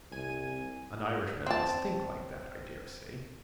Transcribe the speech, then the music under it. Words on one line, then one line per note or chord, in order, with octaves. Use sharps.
An Irishman must think like that, I daresay.
C2 G#5 D#7
C4 A5